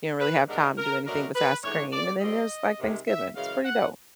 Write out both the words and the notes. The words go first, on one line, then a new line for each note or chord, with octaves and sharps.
you don't really have time to do anything besides scream, and then there's like Thanksgiving, it's pretty dope.
B4
G2 D#3 G#3 B3 D4 A#4
A#4
B2 F#3 A3 D4 A#4
B4
G#2 E3 A3 D4 C#5
D5
A#2 G3 C4 D#5
C3 D#3 G#3
E5
F#2 C#3 E3 G#3 F5
F#5